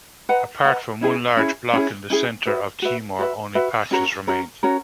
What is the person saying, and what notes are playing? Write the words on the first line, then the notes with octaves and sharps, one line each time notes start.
Apart from one large block in the centre of Timor only patches remain.
B4 D#5 F#5 A#5
B4 D#5 F#5 A#5
C#4 E4 G#4
C#4 E4 G#4
C#4 E4 G#4
C#4 E4 G#4
F#4 B4 E5
F#4 B4 E5
F#4 B4 E5
F#4 B4 E5
C#4 F#4 A#4 C#5
C#4 F#4 A#4 C#5
C#4 F#4 A#4 C#5